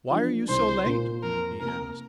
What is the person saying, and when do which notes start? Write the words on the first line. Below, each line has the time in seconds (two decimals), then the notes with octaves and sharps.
"Why are you so late?" he asked.
0.11 F3 D4
0.49 C2 C5
0.86 A#2 A#3 F4 A#4
1.23 F2 A#4
1.60 C3 A#3 A#4